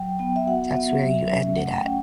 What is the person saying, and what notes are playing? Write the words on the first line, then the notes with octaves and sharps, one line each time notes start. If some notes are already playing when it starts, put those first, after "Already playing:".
that's where you end it at.
Already playing: F#3 G5
B3 G5
E5
F#4 F#5
B3 E5
F#3 E5
C#4
A3 F#5
G5
C#4